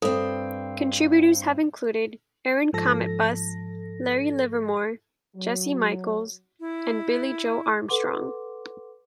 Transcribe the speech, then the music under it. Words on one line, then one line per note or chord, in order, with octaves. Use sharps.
Contributors have included Aaron Cometbus, Larry Livermore, Jesse Michaels, and Billie Joe Armstrong.
G2 C4 A4
G#2 F3 A4 A#6
F#3
E4
A4 B4 F#5 C6 D6